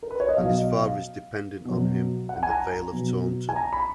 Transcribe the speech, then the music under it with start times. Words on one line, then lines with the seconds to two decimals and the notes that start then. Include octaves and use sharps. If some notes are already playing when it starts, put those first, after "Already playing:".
And his father is dependent on him in the Vale of Taunton.
0.03 A#4
0.11 B4
0.20 C#5
0.29 D#5
0.37 B2 F#3 F5
0.58 D#5
0.79 F5
1.65 B2 F#3
2.29 F#5
2.43 G#5
2.50 A#5
2.72 A#5
2.92 B2 F#3
3.49 G#5
3.56 A#5
3.73 B5